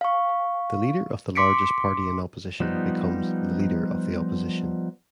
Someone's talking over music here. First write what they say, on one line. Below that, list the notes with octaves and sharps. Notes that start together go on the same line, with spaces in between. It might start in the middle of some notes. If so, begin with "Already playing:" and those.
The leader of the largest party in opposition becomes the Leader of the Opposition.
F5 C#6
C6 D6 B6 C#7 D7
F3 G3 B3 D#4